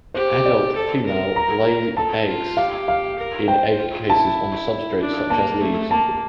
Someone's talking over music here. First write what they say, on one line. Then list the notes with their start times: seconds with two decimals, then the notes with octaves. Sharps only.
Adult female lay eggs in egg cases on substrate such as leaves.
0.14 G4 C5
0.46 D5
0.76 A4
1.06 A#4
1.36 A#5
1.97 A4 A5
2.27 F4
2.57 G4 F5
2.88 F5
3.18 A#4
3.48 C5 G5
3.79 F4
4.09 E4 A5
5.00 D4
5.30 A#3 A5
5.61 A3
5.91 A#3 A5